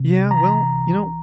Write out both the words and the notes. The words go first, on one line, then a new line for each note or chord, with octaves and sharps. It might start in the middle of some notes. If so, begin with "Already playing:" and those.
Yeah. Well, you know,
Already playing: C2 C3
E3 A#5
C2